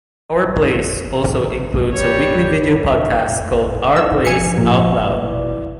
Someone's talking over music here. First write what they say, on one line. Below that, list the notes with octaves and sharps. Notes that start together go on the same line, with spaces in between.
Our Place also includes a weekly video podcast called Our Place Out Loud.
G3 C#5
D#4 A4 E6
G2 F3 G#5 C#7
A#2
B2 E4 B4 D5